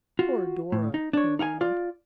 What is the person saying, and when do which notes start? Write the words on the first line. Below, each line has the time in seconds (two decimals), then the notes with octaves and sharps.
"Poor Dora!" he murmured.
0.19 F4 F#4
0.72 A2
0.94 D#4
1.13 D4 C#5
1.39 D#4 F5 F#5 G#5
1.61 F4 D5